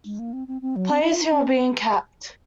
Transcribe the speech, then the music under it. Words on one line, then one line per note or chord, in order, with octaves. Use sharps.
"Players who have been capped".
G#3
A#3
C4
C4
C4
F#3
C4
D#4
F4
D#4
C#4
C4